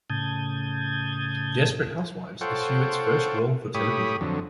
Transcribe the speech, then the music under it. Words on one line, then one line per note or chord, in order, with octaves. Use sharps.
"Desperate Housewives" is Huett's first role for television.
A2 C#3 A5 D#6 G6 G#6
F4 A4 C5 C#5 F#5 G5
A2 G4 C#5 B5 D#6
F2 D3 F#3